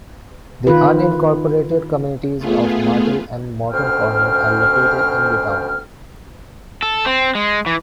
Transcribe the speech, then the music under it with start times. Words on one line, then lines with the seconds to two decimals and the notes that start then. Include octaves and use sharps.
The unincorporated communities of Martell and Morton Corner are located in the town.
0.67 D#3 F4 B4
2.38 A3 B3 F4 G#4
3.72 D2 B2 C#4 C5 G5 F6
6.83 A4
7.06 C4
7.35 G#3
7.66 E3